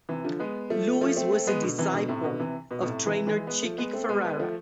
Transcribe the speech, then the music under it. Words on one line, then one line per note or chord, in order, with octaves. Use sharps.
Lewis was a disciple of trainer Chickie Ferrara.
C3 E3
D3 F3
G#3 B3
F3 A3
F3 A3
A3 C4
A3 C4
G#3 B3
B2 D3
C3 E3
B2 D3
A2 C3
B2 D3
C3 E3
B2
B2
A2 C3
C3 E3
E3 G#3
G#3 B3
F3 A3
G#3 B3
A3 C4
G#3 B3
G#3 B3
F3 A3